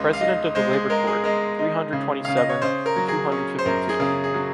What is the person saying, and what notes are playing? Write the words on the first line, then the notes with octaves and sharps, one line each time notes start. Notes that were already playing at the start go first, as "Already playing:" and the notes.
President of the Labor Court, three hundred twenty seven, two hundred fifty two.
Already playing: C#2 D#5
F5
D#4 D#5
G#3 C5
G#4
G#3 A#4
G#4
G#3 A#4
D#4
C#3
C#3 F5
D#5
C#5
C#3 C5
A#4
F#3
G#4
C#4 G#4
C5
F#2 A#4
G#4
C#3 A#4
G#4
F#3